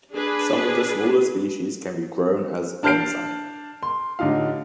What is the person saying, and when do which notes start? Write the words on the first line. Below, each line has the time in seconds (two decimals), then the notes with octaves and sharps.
Some of the smaller species can be grown as bonsai.
0.13 D4 G#4 B4
2.83 D4 A5 F6 G6 C7 D7
3.83 C6
4.19 A1 D3 D#4 F4 F5